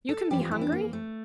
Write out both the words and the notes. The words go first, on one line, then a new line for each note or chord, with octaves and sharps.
"You can be hungry?"
A4
F2 E3 G3 G4
F4
E4
D4
A#3
A3